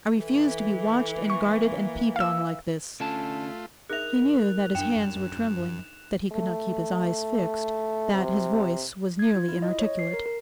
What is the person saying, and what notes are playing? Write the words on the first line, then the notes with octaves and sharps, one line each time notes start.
I refuse to be watched and guarded and peeped on like this.' He knew that his hands were trembling, that he could not keep his eyes fixed, that his voice was nearly inarticulate.
E3 A4
A#3 C#6
F5 E6
D3 A3 C#4 F4 A5
D#4 G#4 A#4 E5 F#6 F7
F#2 D4 G5 E7
A3
C3
G#6
F4
E4
D#5
C#5
C7
A#4
A#4